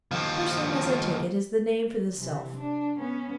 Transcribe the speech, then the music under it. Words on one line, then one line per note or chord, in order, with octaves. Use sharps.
PERSON, as I take it, is the name for this self.
D#2 F3
C3 E3
D4
B3 C#4